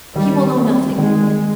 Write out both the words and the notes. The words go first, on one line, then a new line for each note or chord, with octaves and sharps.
"He will know nothing."
D#3 G3
G3 C4
D#3 G#3
G3